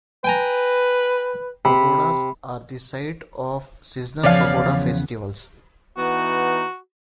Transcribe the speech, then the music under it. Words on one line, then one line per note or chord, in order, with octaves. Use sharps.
Pagodas are the site of seasonal pagoda festivals.
B4 G5 G#5 A#5
C3 B5
E2 C#3 F3 B3 C#5 D5 F5
E3 B3 D#4 F#4